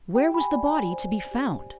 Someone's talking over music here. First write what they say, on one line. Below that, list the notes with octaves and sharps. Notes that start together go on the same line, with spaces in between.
Where was the body to be found?
G4 G5
B5
G#5
D5
G#5
C5
G4